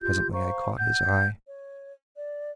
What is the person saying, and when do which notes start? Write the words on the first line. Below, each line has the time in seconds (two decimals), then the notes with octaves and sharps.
Presently I caught his eye.
0.01 F4 G4 G6
0.32 C5 F5 A#5 C#6
0.78 F#5 G6
1.47 C#5
2.16 D5